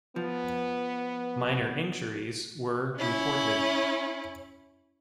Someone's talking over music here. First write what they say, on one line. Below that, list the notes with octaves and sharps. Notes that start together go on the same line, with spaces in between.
Minor injuries were reported.
F3 B3
C#4 E4